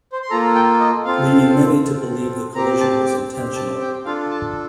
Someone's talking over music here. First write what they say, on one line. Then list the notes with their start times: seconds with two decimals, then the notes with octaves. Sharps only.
Leading many to believe the collision was intentional.
0.12 C5
0.22 C6
0.30 A#3 F4 A4 A#5
0.55 G5
0.80 D#5
1.05 C4 F4 A4 F5
1.80 C4 F4 A4
2.55 C4 G4 A#5
2.80 A5
3.06 D6
3.31 C4 G4
3.56 A5
3.81 G5
4.05 D4 F4 A4 F5
4.31 A5